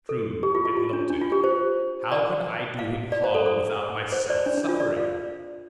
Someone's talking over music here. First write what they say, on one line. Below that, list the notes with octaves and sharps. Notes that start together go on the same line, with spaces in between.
True, it looked it; how could I do him harm without myself suffering?
A4
G4
F4
F4
F4
D4
D4
F4
G4
C5
D5
F5
D5
C5
A4
A4
C5
D5
D4
D4
F4
D5
F5